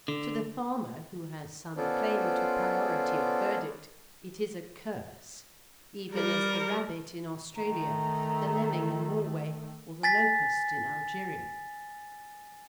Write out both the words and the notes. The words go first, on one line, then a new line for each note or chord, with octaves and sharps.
To the farmer, who has some claim to priority of verdict, it is a curse, even as the rabbit in Australia, the lemming in Norway, or the locust in Algeria.
D3
B3 C#4 F4 A4 C5 D5
G3 A#4
D#3 A3 A#5
G#5 A6 B6